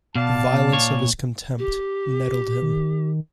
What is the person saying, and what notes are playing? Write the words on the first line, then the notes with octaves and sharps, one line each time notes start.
The violence of his contempt nettled him.
B2 D5 F5 A5
A#2 C#5
G4
D#3